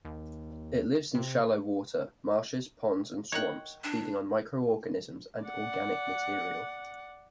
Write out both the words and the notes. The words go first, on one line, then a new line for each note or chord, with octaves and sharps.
It lives in shallow-water marshes, ponds, and swamps, feeding on microorganisms and organic material.
D#2
C3
D#4 A#4 C#5 F#5 G5
D4
D5 F#5